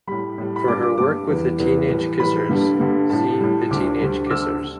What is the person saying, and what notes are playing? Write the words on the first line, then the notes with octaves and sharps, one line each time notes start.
For her work with The Teenage Kissers, see The Teenage Kissers.
A2 G3 B5
A2 G3
B5
G2 G3 D6
D6
G2 G3 D6
E2 E3 G3
E2 E3 G3
A2 E3 G3
A2 E3 G3 B5
G2 D3 G3
G2 D3 G3
A2 G3 A5
A2 G3
D2 D3 G3 D6
D2 D3 G3
D6
D2 D3 G3 E6
D3